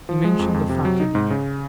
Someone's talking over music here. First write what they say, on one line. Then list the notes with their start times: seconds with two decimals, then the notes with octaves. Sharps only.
He mentioned the fact again.
0.09 F3
0.24 G#3
0.39 F2
0.54 F2
0.69 C3
0.85 F#3
1.00 D#4
1.15 G#2
1.30 C#3